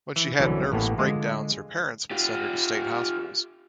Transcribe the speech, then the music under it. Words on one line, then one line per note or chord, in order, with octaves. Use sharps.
When she had nervous breakdowns, her parents would send her to state hospitals.
E3
C2 D3 E3 F#3 C#4
A1 A2 A#3 B3
D3 G#3 F4
F4 G4